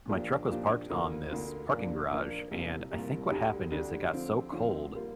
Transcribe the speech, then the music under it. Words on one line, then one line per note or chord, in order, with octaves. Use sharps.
my truck was parked on this parking garage, and I think what happened is it got so cold,
A#2 F3 D4 G4
A#2 F3 D4 G4
D2 D3 A#3 F4
D2 D3 A#3 F4
A#2 F3 A#3 D4
A#2 F3 A#3 D4
C2 A#2 G3
C2 A#2 G3
D2 D3 G3 D4 G4
D2 D3 G3 D4 G4
D3 F3 C4
D3 F3 C4
G3 A#3 F4